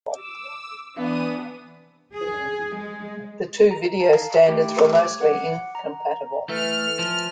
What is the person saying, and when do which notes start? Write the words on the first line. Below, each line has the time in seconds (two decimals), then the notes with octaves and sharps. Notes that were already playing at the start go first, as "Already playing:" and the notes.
The two video standards were mostly incompatible.
0.14 D6 E6
0.97 E3 B3 D4 D#6 D#7
2.13 G#4
2.75 G#3
3.71 A#5
4.00 F5 A5
4.47 A3 G4 G5
4.97 C#5 D6
5.21 F#5
5.75 A#5
6.49 E3 A3 F6
6.99 F3